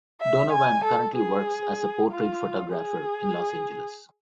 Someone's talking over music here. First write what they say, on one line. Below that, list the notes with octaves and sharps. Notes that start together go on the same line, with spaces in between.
Donavan currently works as a portrait photographer in Los Angeles.
E5
G#5
A4
G#4
F4
G#4